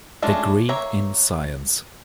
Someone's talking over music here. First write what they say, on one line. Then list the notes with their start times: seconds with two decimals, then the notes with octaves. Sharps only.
Degree in Science.
0.22 G#3 A3 C#4 D4 F4
0.69 A#3 C#5 E5 A#5